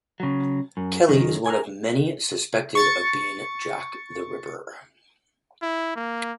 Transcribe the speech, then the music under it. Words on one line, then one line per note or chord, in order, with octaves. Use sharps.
Kelly is one of many suspected of being Jack the Ripper.
C#3 F#3
F#2
F#2 D#3
A#4 G#5
C#6 A6 C#7
E4
A#3